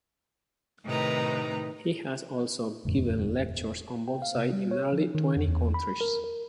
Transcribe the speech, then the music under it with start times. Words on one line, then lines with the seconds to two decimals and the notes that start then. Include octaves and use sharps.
He has also given lectures on bonsai in nearly twenty countries.
0.86 A2 C3 D#3 D#4 B4 A#5
2.85 E1 F#2 A2 D3
4.08 G5
4.22 F5
4.35 C3
4.53 G3
4.71 C#5
4.93 F3
5.15 D#3
5.36 F2
5.48 E2
5.74 B5
6.01 A#4
6.24 A#4